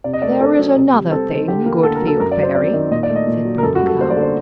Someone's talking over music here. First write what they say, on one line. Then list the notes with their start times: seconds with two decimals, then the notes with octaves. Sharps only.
"There is another thing, good Field Fairy," said Brindle Cow.
0.04 C3 D5
0.13 D#5
0.22 A3 D5
0.31 A#4
0.41 C4 A4
0.59 F#3
0.77 C3
0.94 G3
1.11 C4 A4
1.30 D#3
1.48 D3 G4
1.66 A#3
1.83 D3 A4
1.96 A#4
2.01 F#3
2.07 A4
2.20 F#2 A#4
2.32 D5
2.37 F#3
2.43 C5
2.55 C4 D5
2.74 D#3
2.91 A#2 D#5
3.03 D5
3.09 A3
3.16 D#5
3.27 A#2
3.45 F#3
3.58 A#4
3.63 F#2 A4
3.75 F#4
3.81 G3
3.87 A4
3.99 A#3 C5
4.10 D5
4.17 D3
4.22 C5